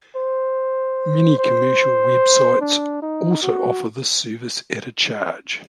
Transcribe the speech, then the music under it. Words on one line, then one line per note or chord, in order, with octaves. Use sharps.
Many commercial websites also offer this service at a charge.
C5
C5
D4
D#4
F#4